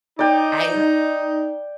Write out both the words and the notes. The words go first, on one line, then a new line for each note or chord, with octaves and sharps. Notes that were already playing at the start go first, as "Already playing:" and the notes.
I her
D#4 D5 G5